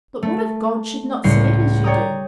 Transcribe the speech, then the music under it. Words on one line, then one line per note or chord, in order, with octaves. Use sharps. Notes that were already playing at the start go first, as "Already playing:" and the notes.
"But what if God should not see it as you do?"
A3
C#2 A2 G3 C7 C#7
C#5 D5 G5 A#5 D#6